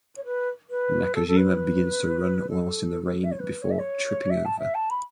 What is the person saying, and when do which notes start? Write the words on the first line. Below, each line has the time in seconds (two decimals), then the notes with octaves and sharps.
Nakajima begins to run whilst in the rain before tripping over.
0.17 C#5
0.25 B4
0.70 B4
1.15 A4
1.27 A4
1.37 B4
2.49 A4
3.23 E5
3.31 C#5
3.39 B4
3.62 C#5
3.71 E5
3.79 C#5
4.30 E5
4.45 A5
4.59 E5
4.74 A5
4.90 B5